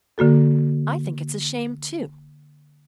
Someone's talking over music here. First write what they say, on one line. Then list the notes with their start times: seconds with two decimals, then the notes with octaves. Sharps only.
I think it's a shame, too.
0.18 D3 A#3 F#4 A4